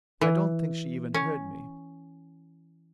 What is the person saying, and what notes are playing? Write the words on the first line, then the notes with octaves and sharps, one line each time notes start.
I don't think she even heard me.
E3
C#4